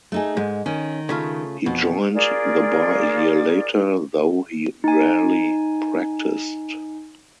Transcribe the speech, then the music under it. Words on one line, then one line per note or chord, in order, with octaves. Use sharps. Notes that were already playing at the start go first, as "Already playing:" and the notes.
He joined the bar a year later, though he rarely practiced.
A3 D#4 G#4
G#2 G#3
D#3 C#4
C#3 A3 F4
F2 B2
F4 G#4 A#4 D5
D#4 G#5